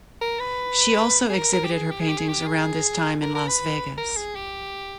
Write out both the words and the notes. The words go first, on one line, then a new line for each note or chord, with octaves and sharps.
She also exhibited her paintings around this time in Las Vegas.
A#4
B4
G#4
A#4
A#4
G4
G#4
G4
G#4
G4
G#4
G4
G#4
A#4
A#4
B4
A#4
G#4
G4